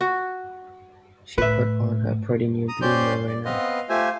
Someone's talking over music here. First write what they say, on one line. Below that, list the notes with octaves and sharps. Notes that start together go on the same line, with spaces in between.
She put on her pretty new blue merino.
F#4
A2 B4 E5
A#5 D#6
C#4 G4 C5 D5 C6 G6
D5
B3 C4 B4 D#5 F5 C6
A3 F4 G4 C5 E5 G#5